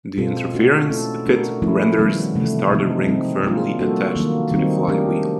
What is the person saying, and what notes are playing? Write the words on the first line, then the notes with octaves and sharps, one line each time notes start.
The interference fit renders the starter ring firmly attached to the flywheel.
B2 G#3 C4 F4 A4
A3 D4 F#4
A3 C#4 E4 A4
A3 D4 F#4 A#4
F3 A3 C#4 E4
D#3 G3 B3
C3 E3 A3
C3 F3 G#3 C4 D#4
G3 C4 D#4
F#3 A#3 D4 F4
G3 A#3 D4 F#4 A4
D#3 F#3 A#3
D#3 G3 C4 D#4
F#3 A3 D4 G4 A#4